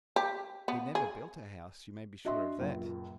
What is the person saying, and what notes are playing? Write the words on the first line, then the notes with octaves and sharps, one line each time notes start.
He never built a house, you may be sure of that.
G4
B3
G#4
D4 F#4 D#5 E5 C6
C#2 F#2 A#2